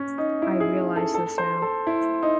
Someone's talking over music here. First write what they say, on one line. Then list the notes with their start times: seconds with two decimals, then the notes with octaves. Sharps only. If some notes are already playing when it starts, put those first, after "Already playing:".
I realize this now.
Already playing: C#4
0.18 D#4
0.42 E4
0.60 G#4
0.96 A4
1.14 A4
1.38 C5
1.62 A4
1.87 E4
2.23 D#4